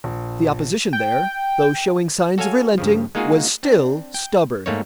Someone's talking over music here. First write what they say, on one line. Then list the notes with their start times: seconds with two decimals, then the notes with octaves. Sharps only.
The opposition there, though showing signs of relenting, was still stubborn.
0.04 A#1
0.93 G5
2.38 F#4 A4 C#5 F5 G#5
2.78 G2 C#3 F3
3.15 G#3 A#3 D#4 F4 F#4 G#4
3.63 C4 D4
4.14 G5
4.66 G#2 A3 A#3 D#4 C#5